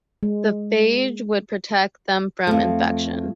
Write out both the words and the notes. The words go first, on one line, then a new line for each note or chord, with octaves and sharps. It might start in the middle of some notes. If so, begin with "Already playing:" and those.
The phage would protect them from infection.
G#3
F2 A3